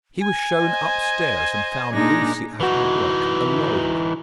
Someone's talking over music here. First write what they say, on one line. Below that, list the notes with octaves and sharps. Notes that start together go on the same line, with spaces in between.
He was shown up-stairs, and found Lucie at her work, alone.
G#5
C5 D#5
A#2 G#3 D4 D#4 A#6
E3 D#4 F#4 B4